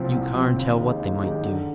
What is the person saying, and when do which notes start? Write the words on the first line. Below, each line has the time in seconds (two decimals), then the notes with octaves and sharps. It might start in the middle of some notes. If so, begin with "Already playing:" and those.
"You carn tell what they might do."
Already playing: C2 C3 F3 C4
0.13 C2
0.35 C3 F3 C4
0.57 D#2
0.78 D#3 G#3 D#4 G4
1.00 D#2
1.22 D#3 G#3 D#4 G4
1.43 D3